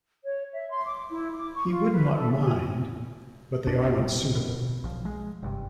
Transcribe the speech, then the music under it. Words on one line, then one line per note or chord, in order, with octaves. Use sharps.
He would not mind; but they are not suitable.
C#5
E5
C6
D6
E4
D6
C#6
F4
B4
A4
E5
G#5
C2 F2 D4
B1 C#3 G3
B2
B1 F3
G#3
F#1 G2 C3